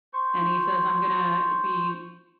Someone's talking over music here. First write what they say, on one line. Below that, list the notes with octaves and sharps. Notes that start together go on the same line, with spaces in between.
and he says, "I'm gonna be
C5 C#6